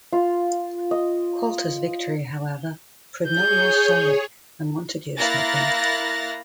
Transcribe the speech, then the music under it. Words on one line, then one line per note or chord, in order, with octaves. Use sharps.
Colter's victory, however, proved no more solid than Montague's had been.
F4
D#5
G#4 C#5 G6
A#3 E4 F6 F#6 A6 A#6